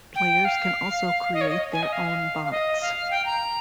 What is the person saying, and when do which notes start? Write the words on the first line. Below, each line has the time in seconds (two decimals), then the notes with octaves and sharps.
Players can also create their own bots.
0.15 G5
0.45 F5
1.34 D#5
1.41 C#5
1.49 D#5
1.73 G#5
1.83 D#5
1.93 F5
2.45 F5
2.51 D#5
2.82 F5
3.11 G5
3.26 A#5